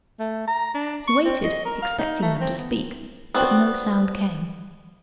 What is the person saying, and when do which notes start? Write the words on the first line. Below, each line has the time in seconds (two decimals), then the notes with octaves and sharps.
He waited, expecting them to speak, but no sound came.
0.20 A3
0.47 A#5
0.74 D4
1.07 C#6
1.25 C4
1.44 D#5
1.65 A#4
1.82 F5
1.99 D#4
2.22 A3
2.41 C4
2.58 B3
3.34 B3 C4 D4 F#4